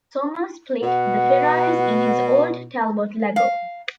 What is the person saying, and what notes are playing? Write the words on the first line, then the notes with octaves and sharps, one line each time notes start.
Sommer split the Ferraris in his old Talbot-Lago.
B2 F#5
F5